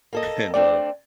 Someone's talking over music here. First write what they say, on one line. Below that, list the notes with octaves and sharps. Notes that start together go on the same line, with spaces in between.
And, uh
A#3 A4 D#5
A3 C4 D4 D5